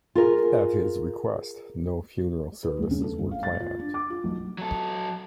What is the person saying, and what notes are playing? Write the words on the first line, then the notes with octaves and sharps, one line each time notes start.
At his request, no funeral services were planned.
F4 G#4 A#4
B4
D#1
C#3
A4
G1
F5
A6
F4
D4
D6
F4
B1
F#3 A4